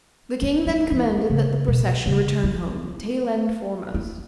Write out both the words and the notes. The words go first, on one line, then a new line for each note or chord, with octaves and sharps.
The King then commanded that the procession return home, tail-end foremost.
C#4
F#3
E3
C#3
B2
C#3
E4
E4